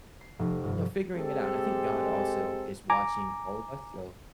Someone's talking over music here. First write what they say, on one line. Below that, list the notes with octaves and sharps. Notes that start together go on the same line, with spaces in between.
you know, figuring it out and I think God also is watching all of us, so,
C7
F1
G1
G#3 C4 G4 A4
G#5 A#5 D6